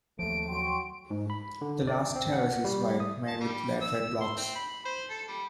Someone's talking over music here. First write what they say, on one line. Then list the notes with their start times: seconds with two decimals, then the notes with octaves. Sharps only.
The last terrace is wide, made with laterite blocks.
0.19 D#2 F3 A3 D7
0.50 F#3 G5 C6 C#6
1.10 G#2
1.30 B5
1.61 D3
1.87 D5
2.16 C4
2.33 F#5
2.64 G3
3.00 D#6
3.27 A5
3.41 G3
3.81 E6
4.21 C6
4.37 C4
4.55 B5
4.85 C5
5.10 A4
5.28 G3